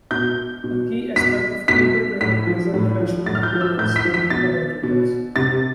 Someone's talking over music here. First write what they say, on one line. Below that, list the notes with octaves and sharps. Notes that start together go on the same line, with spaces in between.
A key aspect of tutor training is the reflection on tutorials with other tutors.
B2 G6
B2
B2 B6
B2 B6
A2 B6
F3
A2
F3
A2 A6
F6
G6
F3
E6
A2 G6
B6
F3
B6
B2 A6
B2
C3 A6